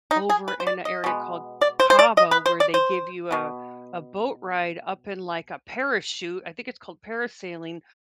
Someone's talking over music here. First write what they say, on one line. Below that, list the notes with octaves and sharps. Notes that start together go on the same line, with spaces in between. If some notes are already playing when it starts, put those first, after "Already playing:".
over in a area called Cabo where they give you a a boat ride up in, like, a parachute, I think it's called parasailing.
D#4
G#4
B4
C5
D5
D#5
B2 G#3 B3
D5
C5
C5
D5
D#5
B4
C5
D5
C5
B2 B3